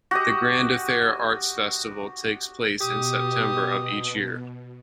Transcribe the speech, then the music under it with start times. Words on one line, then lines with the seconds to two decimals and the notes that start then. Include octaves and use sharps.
The Grand Affair Arts Festival takes place in September of each year.
0.11 F#4 G4 D#5
2.81 B2 G4 D#6